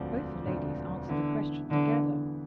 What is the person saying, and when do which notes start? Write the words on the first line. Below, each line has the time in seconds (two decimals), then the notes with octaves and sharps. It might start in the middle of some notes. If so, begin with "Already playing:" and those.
Both the ladies answered the question together.
Already playing: E1 D2 D3 F3 C4
0.46 E1 D2 D3 F3 C4
1.08 D3 E3 B3 E4
1.70 D3 E3 B3 E4